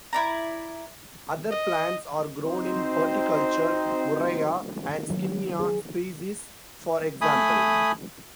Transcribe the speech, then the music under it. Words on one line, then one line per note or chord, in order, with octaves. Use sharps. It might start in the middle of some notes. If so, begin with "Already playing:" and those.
Other plants are grown in horticulture: "Murraya" and "Skimmia" species, for example.
E4 D5 A#5
D#5
C4 D#4 F#4 C5
D#3
F#3
G#4
A3 G#5 B5 D#6